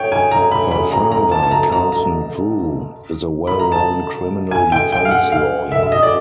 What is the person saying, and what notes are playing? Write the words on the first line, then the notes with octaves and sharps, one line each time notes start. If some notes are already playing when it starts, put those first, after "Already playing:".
Her father, Carson Drew, is a well-known criminal defense lawyer.
Already playing: C#5 G5
G#5
A#5
B5
B5
A#5
A#5
A5
A5
A#5
A#5
A#5
B5
A#5
A5
G#5
G5
G5
F5
F#5
F5
E5
E5
D#5
D5